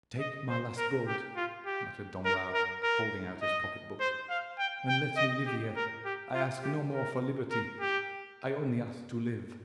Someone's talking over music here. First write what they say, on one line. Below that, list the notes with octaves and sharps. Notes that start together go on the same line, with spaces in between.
"Take my last gold," muttered Danglars, holding out his pocket-book, "and let me live here; I ask no more for liberty--I only ask to live!"
D#5
C5
A#4
G4
F4
G4
A#4
A#4
A#4
D#5
C5
F5
G5
G5
D#5
G4
A#4
G4
F4
G4
A#4
A#4
G4